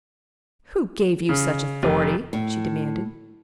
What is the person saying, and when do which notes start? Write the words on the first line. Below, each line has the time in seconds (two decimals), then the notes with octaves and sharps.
"Who gave you such authority?" she demanded.
1.29 C#3
1.83 F1
2.33 A2